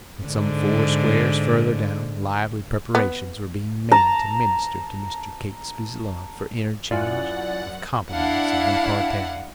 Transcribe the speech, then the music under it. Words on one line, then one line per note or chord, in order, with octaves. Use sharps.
But some four squares farther down lively preparations were being made to minister to Mr. Catesby's love for interchange of compliments and repartee.
G#2 D3
B3
A5 A#5
F#2 E4 F4 D5 F#5 G#5
D4 E4 F5 F#5